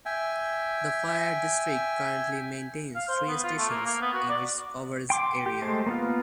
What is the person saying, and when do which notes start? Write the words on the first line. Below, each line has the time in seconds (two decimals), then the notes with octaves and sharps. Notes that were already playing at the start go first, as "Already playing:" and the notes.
The fire district currently maintains three stations in its coverage area.
0.06 E5 G5 G#5
2.95 F5
3.08 C5
3.28 B3
3.44 F4
3.58 A3
3.70 A#3
3.86 A#3
4.01 B3
4.13 F#4
4.29 D5
5.10 G5 C6 D6
5.46 G4
5.62 G#3 A3 C5
5.86 A#3 B3 F4